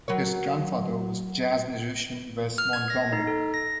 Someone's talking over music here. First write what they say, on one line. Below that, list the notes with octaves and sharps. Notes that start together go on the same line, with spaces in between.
His grandfather was jazz musician Wes Montgomery.
F#3 A#4 C#5
F6
G#6
A#6
D#4
A4
A#6